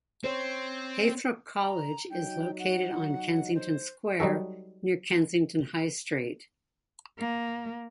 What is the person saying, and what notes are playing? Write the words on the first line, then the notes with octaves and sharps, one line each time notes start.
Heythrop College is located on Kensington Square, near Kensington High Street.
C4 C5 C#5
A#5
F#3 D#4 G5
F#5
C5
F#3 G3 D#4 F#4 A4
A#3